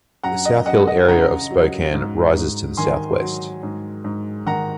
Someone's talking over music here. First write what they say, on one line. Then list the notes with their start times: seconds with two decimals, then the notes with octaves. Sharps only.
The South Hill area of Spokane rises to the southwest.
0.23 F#2 F#5 A#5
0.45 D#5 F#5
0.66 F#2 D#5 F#5
0.87 D#5 F#5
1.08 C#3 F#5 A#5
1.51 F#3
1.94 G#2
2.35 G#2
2.77 D#3 G#5 C6
3.20 F#3
3.63 G#2
4.04 G#2
4.46 D#3 F#5 A#5